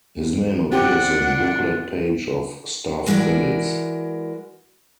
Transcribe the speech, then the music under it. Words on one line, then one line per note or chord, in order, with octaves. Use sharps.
His name appears in booklet page of staff credits.
C4 D4 F4 G4 F#5
E3 G#3 F#4 A#4 D5